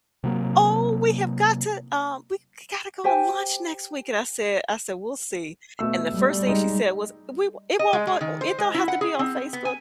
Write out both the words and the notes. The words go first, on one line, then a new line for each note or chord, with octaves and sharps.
"Oh, we have got to, um, we g gotta go to lunch next week." And I said I said, "We'll see." And the first thing she said was, "We won't it won't, but it don't have to be on Facebook."
C3 F#3 A#3
G4 C5 G5 G#5
B2 A3 E6
G3
G#3 D#4
D#5
G#3
G#3
D#3
C5
G#3
E4
F#5
G#4
C4
B3
G#5